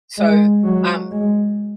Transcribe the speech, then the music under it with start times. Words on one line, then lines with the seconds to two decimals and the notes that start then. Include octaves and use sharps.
So, um,
0.18 G#3
0.64 F#3
1.11 G#3